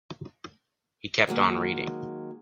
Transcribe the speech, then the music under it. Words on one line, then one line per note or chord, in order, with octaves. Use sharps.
He kept on reading.
D#3 F#3 G#3 A#3